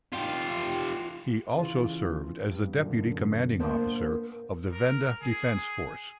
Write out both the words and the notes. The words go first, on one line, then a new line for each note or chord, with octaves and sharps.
He also served as the deputy commanding officer of the Venda Defence Force.
F4 G4
C#3 E3 F4
G2
F#2 A#2 D3
A#3 B3 D4 C5
A#4
G#4